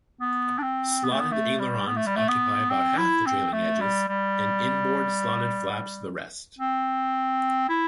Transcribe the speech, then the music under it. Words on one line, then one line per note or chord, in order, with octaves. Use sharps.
Slotted ailerons occupy about half the trailing edges and inboard slotted flaps the rest.
B3
D4
C4
B3
A3
B3
A3
G3
B3
A3
G3
A3
B3
C4
E4
C4
A3
G3
G3
C4
E4